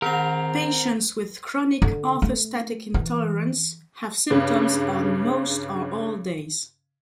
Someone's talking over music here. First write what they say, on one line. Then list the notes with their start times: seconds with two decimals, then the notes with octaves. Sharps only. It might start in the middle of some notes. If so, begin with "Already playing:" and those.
Patients with chronic orthostatic intolerance have symptoms on most or all days.
0.02 D#3 C4 A#4 F#5 F7
1.82 D3
2.22 A3
2.94 E3
4.30 G2 C#3